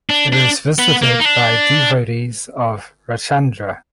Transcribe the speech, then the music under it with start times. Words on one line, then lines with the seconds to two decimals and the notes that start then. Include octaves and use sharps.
It is visited by devotees of Rajchandra.
0.10 D4
0.33 D4
0.79 B3
1.02 A#3
1.20 D#4
1.25 D4